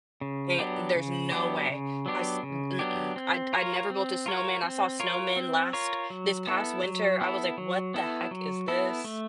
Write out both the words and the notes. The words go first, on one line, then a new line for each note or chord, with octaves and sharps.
eh, there's no way." I s m mm-mm. I'd I'd never built a snowman, I saw snowmen last this past winter, I was like, "What the heck is this?"
C#3
F#3 B3 D4 G4
C#3
F#3 B3 D4 G4
C#3
F#3 B3 D4 G4
C#3
F#3 B3 D4 G4
C4
F4 A#4 C#5
C4
F4 A#4 C#5
C4
F4 A#4 C#5
C4
F4 A#4 C#5
F#3
B3 E4 A4
F#3
B3 E4 A4
F#3
B3 E4 A4
F#3
B3 E4 A4
A3